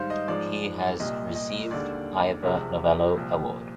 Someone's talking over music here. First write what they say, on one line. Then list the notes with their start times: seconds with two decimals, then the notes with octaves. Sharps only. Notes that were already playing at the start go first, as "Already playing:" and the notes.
He has received Ivor Novello Award.
Already playing: G#2 D#3 G3 C5 F5
0.10 D#5
0.28 G#2 F3 G#3 D5
1.00 C2 A#2 G3 D#5
1.35 D#5
1.71 D#2 D3 G#3 D5
2.43 C2 C3 F3 G#3
3.15 C2 A#2 F3